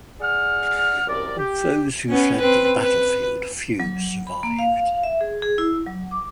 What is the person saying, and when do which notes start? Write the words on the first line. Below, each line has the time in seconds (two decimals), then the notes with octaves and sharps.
Of those who fled the battlefield, few survived.
0.21 G#4 D5 F#5 F6
1.07 C2 F#2 A#4 D5
1.38 G4
2.09 B3 C#4
2.40 C4 B4
2.82 B4
3.80 F#3
4.27 B5
4.43 A#3
4.59 F5
5.03 E5
5.21 G#4
5.42 G#4
5.58 E4
5.86 F#3
6.11 D6